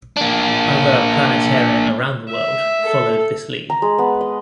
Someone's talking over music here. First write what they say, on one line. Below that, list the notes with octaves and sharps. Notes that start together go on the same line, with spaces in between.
Other planetaria around the world followed this lead.
A#3 D4
E5
A4
A#5
G#3
B3
D#5